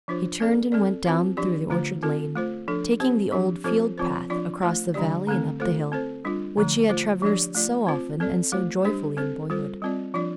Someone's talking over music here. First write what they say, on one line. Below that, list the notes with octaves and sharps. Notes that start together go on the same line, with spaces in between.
He turned and went down through the orchard lane, taking the old field-path across the valley and up the hill, which he had traversed so often and so joyfully in boyhood.
F3 D4 F4 C5
C4 A4 D5
C4 A4 D5
C4 F4 C5
F3 D4 G4 D5
D3 A3 F4 C5
C4 F4 A4
A3 F4 C5
F3 D4 A4
C4 G4 C5
F3 D4 G4
F3 C4 F4 A4 C5
F3 C4 F4 C5
F3 D4 F4 D5
A3 F4 C5
D3 G3 D4 G4 D5
D3 A3 C4 A4
A3 F4 A4 C5
C4 A4 C5
G3 D4 F4
D3 F3 A3
A3 F4 C5
F3 D4 G4 D5
A3 F4 D5
C4 F4 C5
C4 A4 D5
A3 F4 C5
G3 D4 G4 C5
C4 A4 C5
G3 F4 A4 C5
G3 C4 F4 D5
F3 D4 F4 D5